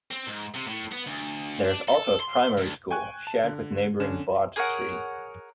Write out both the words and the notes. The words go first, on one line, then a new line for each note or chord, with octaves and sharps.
There is also a primary school, shared with neighbouring Bartestree.
C4
G#2
C3
A2
B3
D2
D4
A4
C6
D2
G5 G#5 C#6 F#6 G#6
A5
D3
D3 C#4 E7
G#4 A#4 C#5 F#5